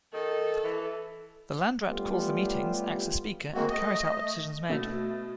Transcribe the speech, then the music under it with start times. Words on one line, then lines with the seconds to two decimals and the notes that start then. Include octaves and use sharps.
The Landrat calls the meetings, acts as speaker, and carries out the decisions made.
0.13 D#3 A4
0.64 E3
1.89 G3 A3 B3 C#4 F4 G4
3.53 G#3 A#3 C4 F#4
3.70 A3 D#5
4.70 B2 A3